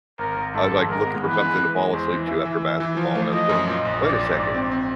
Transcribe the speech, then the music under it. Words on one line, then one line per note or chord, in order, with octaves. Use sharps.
I was, like, looking for something to fall asleep to after basketball, and I was going, "Wait a second.
G#1 A#4
G#1
G#2 A4
G#1
G#3 A#4
B3
E3 B4
G#3
E3
G#3
E2 C5
E3
E3 E5
E3
E3 E5
E3
F3 F5
A3
F3 D#5
F#2
A#2 D#5
A#1
A#1 D5
A#1
G#2 D5
C4
C4